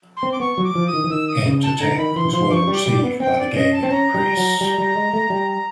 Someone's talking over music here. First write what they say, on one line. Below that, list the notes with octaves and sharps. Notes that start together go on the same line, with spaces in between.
"Ant Attack" was well received by gaming press.
C6
C4
D6
B3 C#6
F#3
D6
F3
D#6
D#3
E3
D#3 E6
D#6
C#3
A5
D3 A#5
D#3 B5
E3 C6
F3 C6
F3 C#6 D6
G3
D6
G3
B3
C4 G5
D5
C#4 D#5
A5
C4
C#4 A#5
G3
F#3
G3
G3
G#3
A3
G3